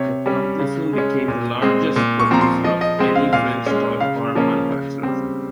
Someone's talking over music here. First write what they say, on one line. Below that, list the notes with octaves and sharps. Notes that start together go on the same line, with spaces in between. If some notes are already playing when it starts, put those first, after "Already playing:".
The company soon became the largest producer of any French toy car manufacturer.
Already playing: C3 C#5
G3 C#4
C#3
G#3 C#4
A#2
G#3 C4
A#2
C#6
F3 C4 A#5
C6
F3 D#5
D#5
G#3 C4
F5
A#2 F5
G#3 C#4
C#3 F5
F3 A#3 C#4
C#3
G3 C4